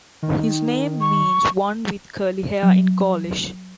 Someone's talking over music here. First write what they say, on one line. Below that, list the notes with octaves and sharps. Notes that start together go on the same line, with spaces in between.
His name means "one with curly hair" in Gaulish.
D#3
C#6
F#3